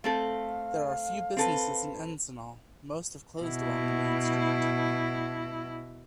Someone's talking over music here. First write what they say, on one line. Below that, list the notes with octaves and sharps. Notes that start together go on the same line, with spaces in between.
There are few businesses in Encinal; most have closed along the main street.
A3 C4 A4 F5
C4 A4 B4
B2 E4